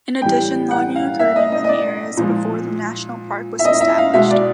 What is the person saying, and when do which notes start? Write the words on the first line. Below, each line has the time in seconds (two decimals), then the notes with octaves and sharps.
In addition logging occurred in many areas before the national park was established.
0.22 A2 E3 G3 G5
0.71 F#5
0.95 F5
1.19 E5
1.36 D#5
1.52 D#5
1.64 D#5
1.69 D5
2.17 A#2 F3 G#3
3.59 E5
3.65 D#5
3.81 E5
3.98 F5
4.13 B2 G#3 E5
4.31 D5